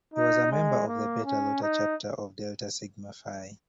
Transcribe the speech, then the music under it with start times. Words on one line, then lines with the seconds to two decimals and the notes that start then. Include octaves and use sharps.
He was a member of the Beta Iota chapter of Delta Sigma Phi.
0.14 D#4
0.51 G#3
0.87 A#3
1.25 C#4
1.62 D#4